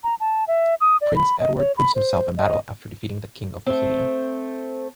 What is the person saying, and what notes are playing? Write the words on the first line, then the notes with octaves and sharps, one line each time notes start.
Prince Edward proves himself in battle after defeating the king of Bohemia.
A#5
A5
E5
D#6
D5
B5
D#5
C#5
B5
C5
D#5
A3 C4